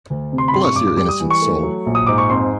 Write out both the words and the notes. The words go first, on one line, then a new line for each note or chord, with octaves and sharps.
Bless your innocent soul!
D2
C3
C6
B5
G2 C6
C#6
G2 D6
D6
G3 D6
D#6
E3
C#6
A3
F#3
A#1
D#6
G#2 D6
C#6
F2 C6